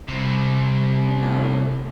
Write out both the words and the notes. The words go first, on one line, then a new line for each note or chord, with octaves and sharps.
you know,
C2 C3